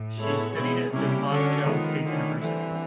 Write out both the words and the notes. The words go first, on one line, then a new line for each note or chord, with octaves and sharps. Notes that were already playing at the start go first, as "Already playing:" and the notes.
She studied at the of Moscow State University.
Already playing: A2
G#3 B3 E4 A4 C#5
B2 C4 E4 G#4
C3 G3 A#3 C#4 E4 G4
D3 C#4 F#4 A4 C#5
D#3 F3 G#3 B3
D3 F3 A3 C#4 E4
D3 E3 G3 C4